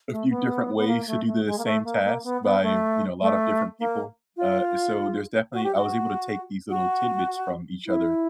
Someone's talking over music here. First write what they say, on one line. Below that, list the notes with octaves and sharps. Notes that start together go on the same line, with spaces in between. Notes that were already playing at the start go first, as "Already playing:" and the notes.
a few different ways to do the same task by, you know, a lot of different people. Uh, so there's definitely I was able to take these little tidbits from each other
A3
B3
B3
A#3
A3
A3
G#3
A#3
A3
A#3
A#3
B3
B3
A3
A3
A#3
F4
F#4
G4
F#4
F#4
E4